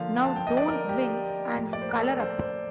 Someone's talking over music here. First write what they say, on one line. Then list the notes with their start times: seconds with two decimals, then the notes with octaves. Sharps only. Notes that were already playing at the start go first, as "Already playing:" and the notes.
Now, don’t wince, and colour up!
Already playing: D3 F3 A#3 F5
0.24 A5
0.36 G5
0.47 D#5
0.57 D5
0.68 A#4
0.89 G4
1.55 A2 F3 A#3
1.73 D5
1.82 C5
1.89 A#4
1.97 A4
2.20 C5
2.41 C5